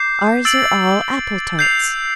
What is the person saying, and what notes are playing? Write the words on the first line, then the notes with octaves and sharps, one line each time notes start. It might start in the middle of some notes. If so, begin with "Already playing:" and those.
Ours are all apple-tarts.
Already playing: D6 G6 C7
E6 A6 D7 F#7
G6 C7 F7